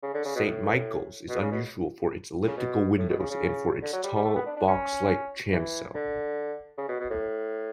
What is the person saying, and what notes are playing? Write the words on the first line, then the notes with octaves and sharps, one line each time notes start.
Saint Michael's is unusual for its elliptical windows and for its tall, box-like chancel.
C#3
D3
C#3
B2
A2
B2
C#3
B2
C#3
B2
A2
B2
C#3
C#3
D3
F#3
G3
G3
A3
B3
D4
D4
C#4
E3
D3
C#3
B2
B2
A2